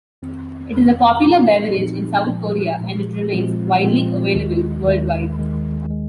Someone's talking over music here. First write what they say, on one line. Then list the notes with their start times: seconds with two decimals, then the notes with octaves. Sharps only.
It is a popular beverage in South Korea, and it remains widely available worldwide.
0.22 F2 D#3 C4
0.74 F2 D#3 C4
1.26 A#2 F3 C4 D#4
1.77 A#2 F3 C4 D#4
2.29 A#2 F3 G#3
2.80 A#2 F3 G#3
3.32 A#2 F3 G#3 C4 F4
3.84 A#2 F3 G#3 C4 F4
4.35 D#2 D#3 G#3
4.87 D#2 D#3 G#3
5.39 D#2 D#3 G#3
5.91 D#3 G#3